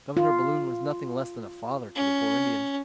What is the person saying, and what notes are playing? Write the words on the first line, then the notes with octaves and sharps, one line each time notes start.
Governor Balloon was nothing less than a father to the poor Indians.
F4
C#4